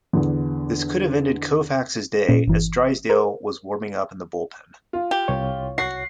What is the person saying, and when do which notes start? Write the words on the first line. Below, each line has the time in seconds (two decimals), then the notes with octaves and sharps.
This could have ended Koufax's day as Drysdale was warming up in the bullpen.
0.13 E2 D3
2.29 A#2 C#4
2.48 G1 E3
3.10 A#4 C5
4.93 F4
5.11 G4
5.28 C2 C#5
5.78 F#4 C7